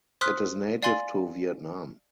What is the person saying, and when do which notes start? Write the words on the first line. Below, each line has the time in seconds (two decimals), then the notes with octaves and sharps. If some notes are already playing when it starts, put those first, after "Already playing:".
It is native to Vietnam.
0.21 C5 C6 D#6 F6 F#6 B6
0.83 D5 F5 G#5 C6 A6 F#7